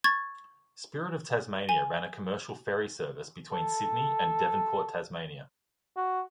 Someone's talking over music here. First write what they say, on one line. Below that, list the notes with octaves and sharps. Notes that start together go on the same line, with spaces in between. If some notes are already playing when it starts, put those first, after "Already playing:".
Spirit of Tasmania ran a commercial ferry service between Sydney and Devonport, Tasmania.
C#6 G#6 A6
G#5
A4
F#4